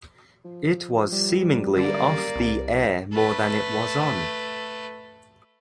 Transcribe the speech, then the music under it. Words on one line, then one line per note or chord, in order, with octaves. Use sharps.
It was seemingly off the air more than it was on.
F3
G3
F#2 D3 A#3 D5
C2 C3
A3 B4